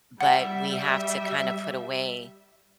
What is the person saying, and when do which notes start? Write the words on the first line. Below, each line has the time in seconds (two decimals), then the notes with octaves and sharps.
but we have to kinda put away
0.21 G3 E5 F#5